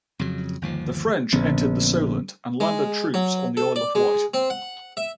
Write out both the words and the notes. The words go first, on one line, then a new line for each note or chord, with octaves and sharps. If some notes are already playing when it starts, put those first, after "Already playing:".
The French entered the Solent and landed troops on the Isle of Wight.
F2 C#3 F#3
G1 D#2 F3
A#1 D3 B3 C#4
G#3
F#3
A4
D5
G#3
C4
F#5
E5